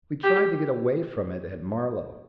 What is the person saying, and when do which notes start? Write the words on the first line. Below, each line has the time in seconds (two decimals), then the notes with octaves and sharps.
We tried to get away from it at Marlow.
0.24 G4